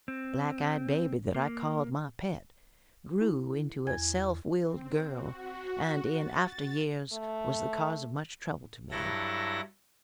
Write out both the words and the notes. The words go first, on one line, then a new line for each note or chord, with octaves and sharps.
The black-eyed baby that I called my pet grew into a self-willed girl, and in after years was the cause of much trouble to me.
C4
A#3
E4
E2 G#6
C4
F#4
A6
A3
G2 F#3 E4 A4 A#6